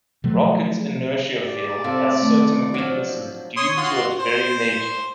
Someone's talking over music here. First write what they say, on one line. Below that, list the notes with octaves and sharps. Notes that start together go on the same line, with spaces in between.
Rocket's inertia field has certain weaknesses due to its very nature.
B2 F3 F#3 A3
G4 D5
C3 G4 A4 F5
D#3 A3
F3 F#3 D4
C#5 C6 D#6
F4 F#4 C6
C5